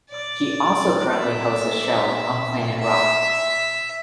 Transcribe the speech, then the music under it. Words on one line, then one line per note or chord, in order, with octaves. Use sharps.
He also currently hosts a show on Planet Rock.
D5
E5
E5
E5